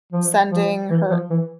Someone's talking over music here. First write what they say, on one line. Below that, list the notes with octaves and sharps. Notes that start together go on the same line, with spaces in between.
sending her
F3
F3
E3
F3
E3